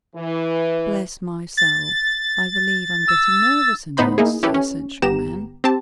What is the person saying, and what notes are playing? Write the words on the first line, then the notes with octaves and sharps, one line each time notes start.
"Bless my soul, I believe I'm getting nervous," announced the eccentric man.
E3
A6
E6
A2 B3 D#4 C5 B5 C6
A#3 D#4 E4 G#4
C#4 E4 G4 A4 B4
C#4
G1 B3 G4 A#5 E7
C4 G4 A5